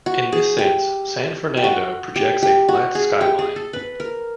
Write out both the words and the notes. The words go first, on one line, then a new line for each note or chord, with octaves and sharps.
In this sense, San Fernando projects a flat skyline.
F#4
G#4
G4
G4
F#4
G4
G4
F#4
G#4
G4
G#4
A4
B4
A#4